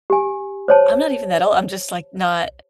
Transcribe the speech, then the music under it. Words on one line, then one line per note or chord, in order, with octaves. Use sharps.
I'm not even that old. I'm just, like, not
G4 G#5
C5 C#5 A5